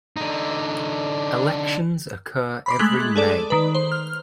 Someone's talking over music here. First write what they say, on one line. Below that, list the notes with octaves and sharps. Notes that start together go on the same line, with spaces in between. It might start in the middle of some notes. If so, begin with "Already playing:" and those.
Elections occur every May.
D3 D#4
B5 C6 D6
G#3 A3 F#6 B6 F#7
G#4 A4 D5
D#3 B4
C5
F6